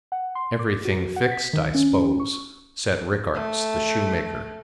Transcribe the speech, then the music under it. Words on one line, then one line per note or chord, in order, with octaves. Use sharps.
"Everything fixed, I s'pose?" said Rickarts, the shoemaker.
F#5
C6
D6
F#4
F#5
B6
D#3
C#4
C#6
A3